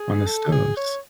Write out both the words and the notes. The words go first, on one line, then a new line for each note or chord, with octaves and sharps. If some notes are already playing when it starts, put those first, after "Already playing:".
on the stoves.
Already playing: G#4
A4
G#4
C#5